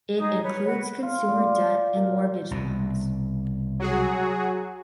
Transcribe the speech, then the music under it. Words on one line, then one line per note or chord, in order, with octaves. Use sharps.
It includes consumer debt and mortgage loans.
D#4 G#4 D#6
B4 C#5
F#4 B4
F4
D5
A#4
C2 B2
F#3 F#4 G#4